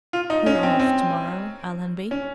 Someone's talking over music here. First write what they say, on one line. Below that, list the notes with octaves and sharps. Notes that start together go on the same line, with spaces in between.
"We're off to-morrow, Allenby."
F4
D#4
C#4
C4
C4
C#4